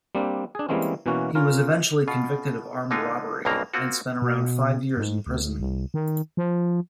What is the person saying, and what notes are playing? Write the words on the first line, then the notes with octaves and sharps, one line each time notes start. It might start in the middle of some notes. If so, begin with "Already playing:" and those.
He was eventually convicted of armed robbery and spent around five years in prison.
G3 A#3 C4 D4
D4 G#4
E3 G3 G#3 A#3 C4 C#4
B2 E3 A#3 C#4 F#4
C#4 F4 A#4
B2 F4
C#2 D3 G#3 D#4 F4 G#5
B1 G2 C#3 A#3 C4 A#5
A#3 C4 F4 F#4
B2
G#2
D2
C2
D#3
F3